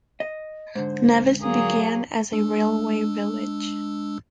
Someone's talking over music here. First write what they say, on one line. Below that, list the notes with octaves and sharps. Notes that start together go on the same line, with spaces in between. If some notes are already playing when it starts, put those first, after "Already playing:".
Nevis began as a railway village.
D#5
G#2 D3 C5
F#3 A#3 G#4 D#6
G#3 D4 E6